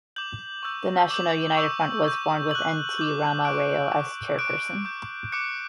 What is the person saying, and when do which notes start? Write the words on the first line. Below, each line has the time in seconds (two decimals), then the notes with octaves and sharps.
The national united front was formed with N. T. Rama Rao as chairperson.
0.16 D6 G6 F#7
0.63 C#6 E6 G6
1.10 D6 G6 F#7
1.57 C#6 E6 G6
2.04 C#6 G6
2.50 C#6 F#6 F#7
2.98 D6 G6
3.45 C#6 F#6 D7
3.91 D6 G6
4.39 D6 F#6 D7
4.85 D6 G6
5.32 D6 F#6 C#7